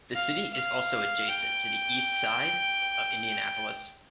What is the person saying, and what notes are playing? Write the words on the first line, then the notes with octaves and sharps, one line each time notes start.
The city is also adjacent to the east side of Indianapolis.
F5
F5
G5